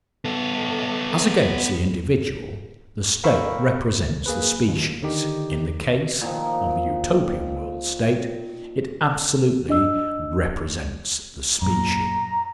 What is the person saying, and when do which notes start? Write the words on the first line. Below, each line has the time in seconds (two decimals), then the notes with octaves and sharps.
As against the individual the state represents the species, in the case of the Utopian World State it absolutely represents the species.
0.25 B3 A4
3.24 A#4 F5 G5 B5 C#6 E6
3.99 C#2
4.26 A#3 G#4 B4
4.68 D#2
5.02 D3 D#3 D#4 G4
6.21 A#2 D#3 F3
9.69 D4 D#5 E6
11.62 F#2 A#2 A#5